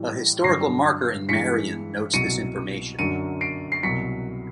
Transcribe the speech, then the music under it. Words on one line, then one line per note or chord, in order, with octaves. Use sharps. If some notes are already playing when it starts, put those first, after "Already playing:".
A historical marker in Marion notes this information.
Already playing: A2 E3 G3
G2 D3 F#3 A#6 C7
G2 E3 G#3 B6 C#7
C2 B2 F#3 C#7 D#7
F#2 D3 F#3 C#7 D#7
C7 D7
C7
C2 B2 F#3 B6 C#7